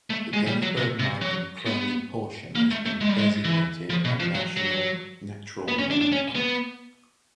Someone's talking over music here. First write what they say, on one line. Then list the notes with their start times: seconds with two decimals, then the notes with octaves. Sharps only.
The Gensburg-Markham Prairie portion has been designated a National Natural Landmark.
0.10 A3
0.33 G#3
0.47 G3
0.63 F#3
0.77 C3
0.99 C3
1.21 F#3
1.66 B3
2.55 A#3
2.71 A3
2.86 A3
3.01 G#3
3.09 G3
3.19 G#3
3.44 E3
3.90 F3
4.05 B2
4.20 F3
4.35 F#3
4.57 F#3
5.68 B3
5.79 C#4
5.91 D4
6.01 D4
6.12 C#4
6.36 B3